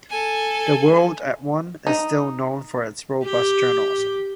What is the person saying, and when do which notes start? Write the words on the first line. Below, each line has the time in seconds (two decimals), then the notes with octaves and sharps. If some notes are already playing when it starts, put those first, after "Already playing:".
"The World at One" is still known for its robust journalism.
0.10 A4 G#5
1.87 D#4
3.24 G4